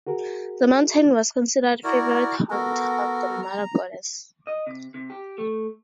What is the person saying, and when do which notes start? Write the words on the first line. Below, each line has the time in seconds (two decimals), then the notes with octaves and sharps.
The mountain was considered a favorite haunt of the mother goddess.
0.07 F#4 G#4 A#4
1.84 E4 F#4 A#4 D5
2.51 B3 F#4 A4 A#4
3.42 A#5
4.47 D#5
4.67 C3
4.94 C3
5.10 G4
5.38 A3